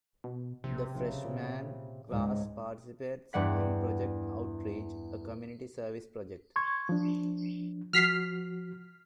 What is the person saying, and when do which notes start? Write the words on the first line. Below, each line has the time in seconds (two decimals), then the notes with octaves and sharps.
The freshman class participates in Project Outreach, a community service project.
0.24 B2
0.64 A#1 C3
0.95 A#1 C#3
1.25 A#2
2.09 C#2 G#2
3.33 E2 G2 G3 F#5 B6
6.56 C6 C#6 G#6
6.89 F3 D4
7.93 F3 F#4 F6 B6 C7